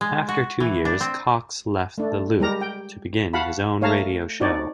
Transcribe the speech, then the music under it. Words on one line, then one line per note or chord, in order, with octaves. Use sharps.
After two years, Cox left The Loop to begin his own radio show.
G#3
F#4
E3
D4
C4
A3 D4
G3 G#3 G4 A#4 A#5
G5
F#4 F5 F#5 A5 B5
A3 C#5 F5 A5 A#5
C4 D4 D#4 F#4 C#5 D5